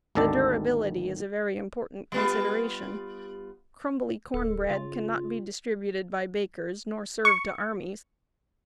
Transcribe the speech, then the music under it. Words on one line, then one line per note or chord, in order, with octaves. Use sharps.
The durability is a very important consideration; crumbly corn bread cannot be distributed by bakers nor served to armies.
G#1 D2 D#3 A4 D5 A5
G3 B3 F4
D1 A4
C#3 F4
C#6